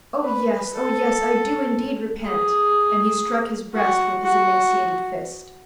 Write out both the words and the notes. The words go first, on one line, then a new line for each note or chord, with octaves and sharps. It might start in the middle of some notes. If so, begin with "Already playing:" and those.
"Oh, yes; oh, yes, I do indeed repent." And he struck his breast with his emaciated fist.
B4
A4
G#4
F#4
F#4